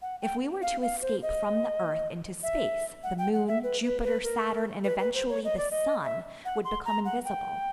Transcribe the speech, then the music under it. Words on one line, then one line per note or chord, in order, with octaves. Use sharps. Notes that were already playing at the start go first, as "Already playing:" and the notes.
If we were to escape from the earth into space, the moon, Jupiter, Saturn, and eventually the sun would become invisible.
F#5
G5
F5
F5
C5
D#5
E5
F#5
G5
F#5
E5
B4
B4
B4
A#4
B4
B4
C5
C#5
D#5
D5
D#5
E5
F#5
C6
A#5
F#5
G5